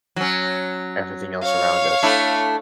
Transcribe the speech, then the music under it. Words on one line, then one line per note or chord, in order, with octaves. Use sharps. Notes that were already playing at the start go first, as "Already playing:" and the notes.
everything else around us.
F#3 C#4
C#5 F5
A3 D4 E4